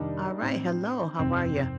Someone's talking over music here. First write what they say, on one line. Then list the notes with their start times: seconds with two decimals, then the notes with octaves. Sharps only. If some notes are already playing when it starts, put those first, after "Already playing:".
All right, hello. How are you?
Already playing: F2 C3 D#3 G3 A#3 D4 D#4
0.42 A2 A3 C4 D4
1.19 G1 F2 C3 C4